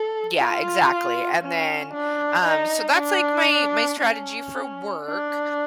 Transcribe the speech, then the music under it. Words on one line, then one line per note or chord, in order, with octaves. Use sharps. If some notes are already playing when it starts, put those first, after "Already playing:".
Yeah, exactly, and then, um so, that's, like, my my strategy for work,
Already playing: A4
F4
C#4
D4
D#4
D4
C#4
D4